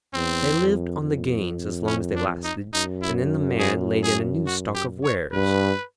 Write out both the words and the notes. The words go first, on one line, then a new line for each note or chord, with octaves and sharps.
They lived on the gains as long as they lasted, and then the Man laid in a new stock of wares.
E2 C4
F2
F2
C#4
D4
D#4
F#2 D#4
E4
G#4
G#4
F#4
G4
C#5
G2 B4